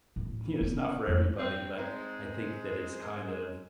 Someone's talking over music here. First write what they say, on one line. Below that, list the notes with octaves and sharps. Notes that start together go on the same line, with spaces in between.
You know, it's not for everybody, but I think that it's kind of
D2 A2
B3 C#4
F2
C4
G#3 C4 D#4 C5 A#5